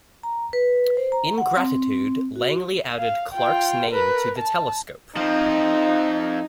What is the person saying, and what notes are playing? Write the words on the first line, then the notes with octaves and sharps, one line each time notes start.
In gratitude, Langley added Clark's name to the telescope.
A#5
B4
C5
A#5
F#5
C4
F#4
F5
F4 G5
A#4 B4
A5
F3 C4 D#4